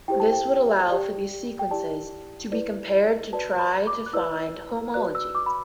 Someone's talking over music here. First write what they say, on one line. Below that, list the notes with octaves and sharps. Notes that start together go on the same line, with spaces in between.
This would allow for these sequences to be compared to try to find homologies.
E4 G4 C5 G5
A5
G5
G4 D5
G5
E4 G4 D5 A5
E4 B4 D5
F#4 B4 D5 A5
B5
D6
F#6
E4 B4 D5 E6
F#4 B4 D5 F#6
E6
D6
B5